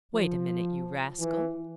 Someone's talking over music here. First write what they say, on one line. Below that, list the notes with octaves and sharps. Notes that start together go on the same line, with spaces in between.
Wait a minute, you rascal!
F3
E3